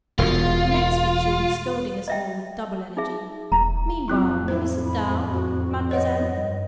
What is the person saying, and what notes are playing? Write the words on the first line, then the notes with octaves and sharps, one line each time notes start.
Next week she will be scolding us all with double energy. Meanwhile, may we sit down, mademoiselle?
E1 E2 F4
D#5 E5 G5
D#4 G#4 E5
E1 A#5
F2 A2 F#3 C4 E4 F4
E4 C5
B5
F#4
C#5 D#5 F#5
G2